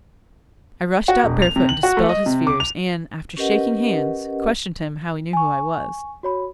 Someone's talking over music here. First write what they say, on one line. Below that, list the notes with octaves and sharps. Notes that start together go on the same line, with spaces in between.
I rushed out barefoot and dispelled his fears, and, after shaking hands, questioned him how he knew who I was.
F#4
E1
F7
C3
F#7
F#4
A3
D#5
C3
D6
F7
C#4 G4 A#4 B4 D#5 F#5
G#5 C#6
F#4 C#5 B5